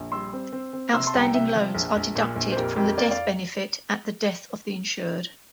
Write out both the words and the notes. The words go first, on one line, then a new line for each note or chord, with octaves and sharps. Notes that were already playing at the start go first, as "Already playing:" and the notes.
Outstanding loans are deducted from the death benefit at the death of the insured.
Already playing: A#1
G3 C6 E6
C4
C4
C4
C3 C6 E6
A5 C6
C2
G5 A#5
C3 E5 G5
F3
A#1
A#1
A#2
A#1
C5
F2 G4 A#4
F2 G4 A#4
F2 A#4 D5
D5 F5